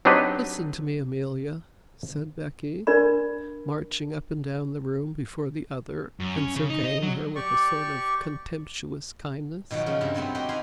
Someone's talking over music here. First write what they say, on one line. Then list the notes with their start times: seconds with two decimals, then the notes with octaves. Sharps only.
"Listen to me, Amelia," said Becky, marching up and down the room before the other and surveying her with a sort of contemptuous kindness.
0.05 F#3 C4 D4 D#4 G4 B4
2.87 D4 A#4 D5 B5
6.20 F#2
6.36 C#4
6.56 C#3
6.70 D#4
6.84 D#5
7.03 F#3
7.35 G4 D5 C#6
9.71 B2 D#3 F3 F#3
9.86 C#3 F3
10.01 G2 C3 A#3
10.14 C3 F#3 G3 B3 C4
10.35 A#3 F#4 G4 D#5 G5
10.49 D#4 F#4 F5 G#5 B5 C6